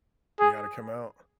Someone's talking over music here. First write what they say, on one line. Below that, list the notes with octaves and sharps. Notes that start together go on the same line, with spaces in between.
You gotta come out.
G#4